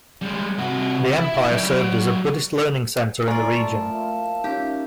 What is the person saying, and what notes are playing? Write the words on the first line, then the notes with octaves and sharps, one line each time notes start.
The empire served as a Buddhist learning center in the region.
G3 G#3
C3 F#4
E4
F#3 D5
F#2 F4 A4 D5 G#5 A#5 C#6
A3 A#4 A5
A#2 F3 E4
C#4 D#4 F4 G4 A#4 E5